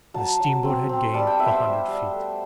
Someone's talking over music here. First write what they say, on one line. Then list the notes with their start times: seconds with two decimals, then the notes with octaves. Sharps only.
And the steamboat had gained a hundred feet.
0.14 F#3 A5
0.40 F#3
0.65 C4
0.89 C4
1.14 G3 A5
1.27 G5
1.39 B3 E5
1.51 C5
1.64 G3
1.88 G3
2.13 A3